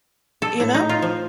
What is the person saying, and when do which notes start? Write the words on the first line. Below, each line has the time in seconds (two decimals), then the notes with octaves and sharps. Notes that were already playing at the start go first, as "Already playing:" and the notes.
you know?
0.42 A4
0.60 A2
0.74 D#4
0.89 F4
1.02 F3